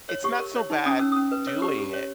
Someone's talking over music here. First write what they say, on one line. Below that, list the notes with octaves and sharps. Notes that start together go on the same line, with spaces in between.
it's not so bad doing it,
C#5
G4 C#6
A#4
C#5
D#4
C#4 D#6
C#4 E6
C#4 D#6
B4
C#5 E6
G4
G4
C#5